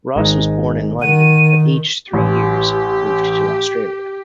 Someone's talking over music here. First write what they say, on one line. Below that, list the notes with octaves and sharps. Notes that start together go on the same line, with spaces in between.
Ross was born in London but aged three years, moved to Australia.
G#1 G#3 D#4
D#3 F#5 D#7
A1 G4